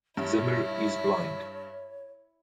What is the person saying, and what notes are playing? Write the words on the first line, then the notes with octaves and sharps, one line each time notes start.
Zimmer is blind.
G2 E4 C#5